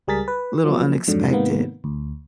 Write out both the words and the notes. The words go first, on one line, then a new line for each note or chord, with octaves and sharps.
little unexpected.
C#2 G3 G#4 A#4 A6 B6
B4
F3 F#3 A#3
F2 G#2 D3 F#3
G#2 C3 D#3 A#3 B3
D2